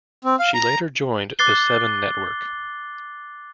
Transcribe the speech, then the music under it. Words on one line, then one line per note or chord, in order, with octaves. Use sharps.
She later joined the Seven Network.
C4
F5
A#5
D6 F#6 A6 C7 G7